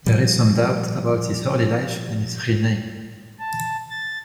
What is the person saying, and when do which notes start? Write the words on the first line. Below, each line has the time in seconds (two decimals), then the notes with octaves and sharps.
There is some doubt about his early life and his real name.
0.07 A#2 F3 G3
3.39 A5
3.90 A6